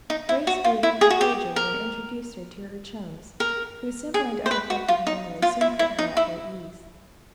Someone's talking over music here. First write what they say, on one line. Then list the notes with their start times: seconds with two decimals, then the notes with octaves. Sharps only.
Grace greeted her cordially and introduced her to her chums, whose simple and unaffected manners soon put her at her ease.
0.10 D#4
0.29 E4
0.47 F#4
0.64 F4
0.83 E4
1.01 G#4
1.10 F#4
1.21 G4
1.56 A#4
3.40 A#4
4.14 G#4
4.46 C5
4.51 B4
4.70 F#4
4.88 F4
5.07 D#4
5.42 F4
5.61 E4
5.79 E4
5.99 D#4
6.17 E4